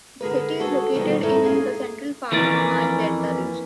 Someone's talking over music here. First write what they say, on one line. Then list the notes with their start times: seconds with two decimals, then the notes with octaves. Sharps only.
The city is located in the central part of the Nile Delta region.
0.21 D3 G#4 A#4 B4
0.60 F#4 G#4 A4 C#5
0.93 B2 D3 D#3 F3 G3 B3
1.23 D#4 E4 A4 A#4 C#5 E5
1.43 A#3 G#4 F5
2.32 F2 E3 A#3 C#4 D5